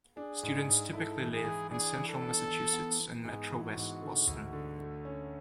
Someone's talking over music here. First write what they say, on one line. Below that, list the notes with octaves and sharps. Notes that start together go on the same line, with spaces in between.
Students typically live in Central Massachusetts and MetroWest Boston.
D4 G#4
G#2
G#2
E4 A4
E3
G#4
E3
D4 G#4
E3
A4
B3
E3
B3
B3
G#2 G#4
E3
F#4
G#2
D3
D2
D3
A3
C#4